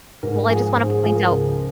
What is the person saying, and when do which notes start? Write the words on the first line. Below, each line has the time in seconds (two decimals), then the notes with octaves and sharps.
well, I just wanna point out
0.23 G#2 A#4
0.49 F3 G#4
0.76 G#2 C5
0.90 G#4
1.03 F3 G#4
1.16 A#4
1.30 C#2